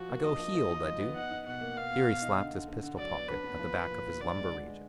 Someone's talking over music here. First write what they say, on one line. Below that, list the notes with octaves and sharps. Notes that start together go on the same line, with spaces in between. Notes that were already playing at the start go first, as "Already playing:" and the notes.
I go heeled, I du!' Here he slapped his pistol pocket at the back of his lumbar region.
Already playing: F3 F#4
A#3
D4 D#5
F3
F3
D#4
F3
B3
D#4 F#5
D#4
B2 F#5
A#3
B2 F5
B2
B2
D#4
D3
D3
D3
D3
F#3 D5
B3
D4 B4
B3
F3
F3
A#2
A#2
D3 D5
G#3
D3
G#3